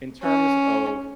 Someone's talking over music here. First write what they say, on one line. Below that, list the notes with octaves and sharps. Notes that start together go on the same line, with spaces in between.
In terms of
C#4